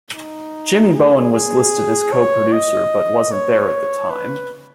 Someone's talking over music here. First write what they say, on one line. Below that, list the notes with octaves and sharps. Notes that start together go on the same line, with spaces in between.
Jimmy Bowen was listed as co-producer but wasn't there at the time.
D#4
G#4
G#4
C#5
D#5
C#5
B4